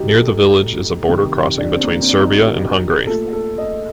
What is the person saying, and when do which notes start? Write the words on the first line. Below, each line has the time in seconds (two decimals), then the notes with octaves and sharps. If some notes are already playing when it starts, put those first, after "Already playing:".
Near the village is a border crossing between Serbia and Hungary.
Already playing: F#3 A3 D#4 F#4 G4
0.08 A4
1.08 C3 D#3 G3
1.57 D4
1.70 C4
1.83 A#3
2.00 C4
2.08 D4
2.20 D#4
2.32 F#4
2.44 G4
3.07 A#2 A3 A4
3.33 A4
3.58 D#5